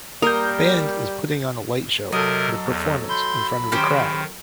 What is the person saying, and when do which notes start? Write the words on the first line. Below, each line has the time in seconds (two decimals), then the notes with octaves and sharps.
A band is putting on a light show and a performance in front of a crowd.
0.22 G3 A#3 A#4 D#6 G6
2.12 C3 F#3 A4 A#4 D#5
2.67 E2
3.09 B5 C6 G6
3.72 D#3 C#4 G4 C5